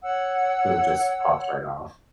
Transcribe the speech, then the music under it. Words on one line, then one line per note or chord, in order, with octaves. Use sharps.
So it just pops right off.
C#5 F#5 E6